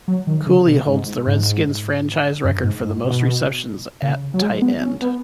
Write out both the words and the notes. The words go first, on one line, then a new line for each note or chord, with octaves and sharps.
Cooley holds the Redskins' franchise record for most receptions at tight end.
F#3
D#3
C#3
B2
G#2
G#2
F#2
G#2
G#2
B2
C#3
F#3
G#3
B3
C#4
B3